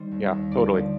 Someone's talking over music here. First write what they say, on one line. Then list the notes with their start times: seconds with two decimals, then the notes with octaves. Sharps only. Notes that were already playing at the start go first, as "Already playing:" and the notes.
Yeah, totally.
Already playing: D#3 G3 C5
0.11 D#2
0.31 D#2
0.51 D3 D5
0.71 F3